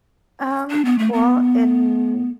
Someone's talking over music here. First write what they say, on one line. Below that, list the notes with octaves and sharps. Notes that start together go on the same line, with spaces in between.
Um, well, in
D4
B3
A3
B3